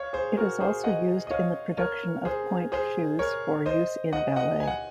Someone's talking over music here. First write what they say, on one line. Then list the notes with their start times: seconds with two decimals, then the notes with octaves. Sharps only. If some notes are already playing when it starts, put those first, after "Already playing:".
It is also used in the production of pointe shoes for use in ballet.
Already playing: C#5 F5
0.13 G#4 C5
0.37 F#4 A#4
0.60 G#4 C5
0.84 D#5 F#5
1.27 D#5
1.31 C#5 F5
1.78 A#4 C#5
2.25 G#4 C5
2.72 G#4 C5
3.19 A#4 C#5
3.66 C5 D#5
4.13 D#5 F#5
4.36 D#5 F#5
4.60 G#5
4.68 F#5